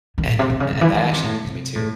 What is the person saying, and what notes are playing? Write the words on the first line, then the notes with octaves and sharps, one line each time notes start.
and and that actually brings me to
D#3
A2
C3
C3
C#3
C#3
E3
E3
D#3
C3
A2
C3
A2